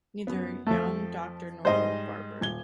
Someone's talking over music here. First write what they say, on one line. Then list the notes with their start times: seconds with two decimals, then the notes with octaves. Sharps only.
Neither young doctor nor old barber.
0.27 F#2 B3
0.66 F2 F3 A3
1.65 G#2 G3 C5 D#5
2.41 D#1 G#6 G7